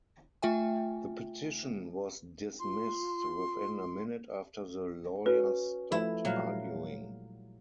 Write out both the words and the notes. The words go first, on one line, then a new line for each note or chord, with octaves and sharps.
The petition was dismissed within a minute after the lawyer stopped arguing.
A3 F4 E5 G5 G#5
F4 C6
C#4 F#4 B4
F3 A3 E4
A#2 F#3 G3 F5